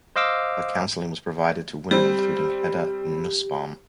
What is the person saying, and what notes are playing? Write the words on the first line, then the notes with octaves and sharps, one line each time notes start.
Her counseling was provided to women including Hedda Nussbaum.
C5 D#5 F5 D6 E6
G3 C4 G4